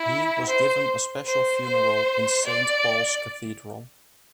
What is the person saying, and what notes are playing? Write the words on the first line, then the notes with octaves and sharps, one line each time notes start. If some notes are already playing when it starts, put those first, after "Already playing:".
He was given a special funeral in Saint Paul's Cathedral.
Already playing: E4
C5
C5
C5
D5